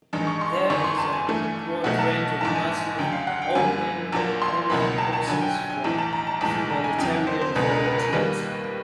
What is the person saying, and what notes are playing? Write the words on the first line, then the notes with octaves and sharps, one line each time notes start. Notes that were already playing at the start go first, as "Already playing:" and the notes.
There is a broad range of massive open online courses for humanitarian volunteers.
A1 G2 D#3 G#3
C#6
C6
G1 F#2 D#3 C#6
C6
A5
G#5
G2 E3 A3
B1 B2 F#3 A3 F#5
A5
A#1 G#2 E3 A5
G#5
D2 C#3 F#3 G5
F5
F#5
G5
F#2 D3 G3 A#3 G#5
A#1 A#2 F#3 A#3 A5
C6
C#2 B2 F#3 A#3 B5
A5
A5
G2 D3 F#3 G#5
G5
G#5
G#5
B1 A2 E3 A5
A5
A#5
A5
B1 A2 E3 G#3 A5
A#5
G#5
F2 C#3 F#3 G5
C5
C5
C#2 B2 G#3 B4
A#4
B4
A#4
D#2 D#3 G3 A#3 B4